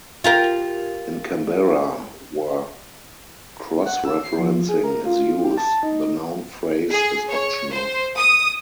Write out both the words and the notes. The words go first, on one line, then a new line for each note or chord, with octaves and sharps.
In Kambera, where cross-referencing is used, the noun phrase is optional.
F4 G4 A#4
F#5
E6
C7
F3
G#4
A#4
F4
G4
A5
D#4
G#4
C#5
C5
D#6